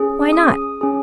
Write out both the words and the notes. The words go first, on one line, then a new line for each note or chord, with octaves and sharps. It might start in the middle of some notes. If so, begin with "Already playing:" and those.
Why not?
Already playing: C#4 G#4
D#6
C#4 G#4